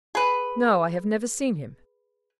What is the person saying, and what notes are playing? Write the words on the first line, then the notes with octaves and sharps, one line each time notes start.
"No, I have never seen him."
G#4 B4